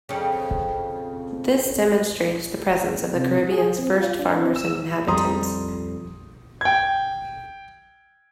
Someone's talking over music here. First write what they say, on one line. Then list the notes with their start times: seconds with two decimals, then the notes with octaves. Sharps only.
This demonstrates the presence of the Caribbean's first farmers and inhabitants.
0.09 F2 C#3
3.02 B3
3.15 C3
3.50 G#4
3.78 C4
3.94 F4
4.19 D4
4.38 C4
4.56 E6
5.08 F2 G3 A#5 C6 D#6
6.61 G5 G#6